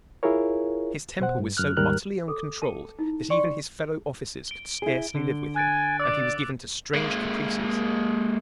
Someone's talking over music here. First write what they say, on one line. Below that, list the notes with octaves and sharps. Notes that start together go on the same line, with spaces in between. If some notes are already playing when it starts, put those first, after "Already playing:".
His temper was so utterly uncontrolled that even his fellow officers could scarcely live with him, and he was given to strange caprices.
E4 F4 G#4 A#4 C#5
B2 C5 F#5
G2
F#2 F6 F#6
D#2 G#2 G3 A#4 F6 F#6
A4 D6
G5 A5
D#4 E4
D5 G5 C6 C#6
D7 G7
E4 G#4
D3
G#5 F#6 A6 D7
D5 D6 E6
G#3 A#3